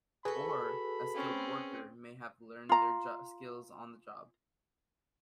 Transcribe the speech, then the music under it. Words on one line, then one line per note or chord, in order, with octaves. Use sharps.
Or, a skilled worker may have learned their skills on the job.
F#4 G#4 A4 B4 B5
C4 C#4
F4 A#5